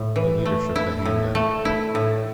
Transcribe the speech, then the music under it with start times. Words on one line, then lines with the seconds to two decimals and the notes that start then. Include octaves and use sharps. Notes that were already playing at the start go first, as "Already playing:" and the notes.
The leader showed the handgun.
Already playing: A2
0.16 E3
0.46 A3
0.76 E4
1.05 A2
1.35 A3
1.65 E4
1.95 A2